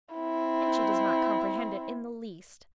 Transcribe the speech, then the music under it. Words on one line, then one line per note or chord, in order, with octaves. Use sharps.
"And she does not comprehend it in the least."
C4 E4